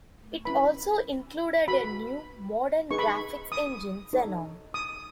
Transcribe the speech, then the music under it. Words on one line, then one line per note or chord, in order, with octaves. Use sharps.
It also included a new, modern graphics engine, Xenon.
C#4 E4 B4 B5
F#4 B4 B5
D#4 G#4 B4 C#6
B5
C#6
D#6
D#4 A4 C#5
D#6